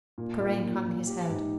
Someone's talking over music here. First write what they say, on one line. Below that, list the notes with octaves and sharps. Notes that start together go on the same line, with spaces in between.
Karain hung his head.
A#2
A#2
A#2
A#2
G4
G#2